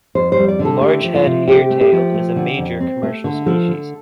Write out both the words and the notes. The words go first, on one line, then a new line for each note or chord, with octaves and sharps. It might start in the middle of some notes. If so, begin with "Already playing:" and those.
Largehead hairtail is a major commercial species.
F2 C5
G3 C5
D5
D3
A4
A3 G4
F3
F4
C3
C4 G4
A3
G4
F3
A3
D3
F2
C4
A3
D3
F3 A4
D3